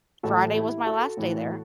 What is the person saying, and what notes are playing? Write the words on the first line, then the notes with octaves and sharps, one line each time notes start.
Friday was my last day there
A2 E3 F#4 A4
E4 G4
F#4 A4
A2 E3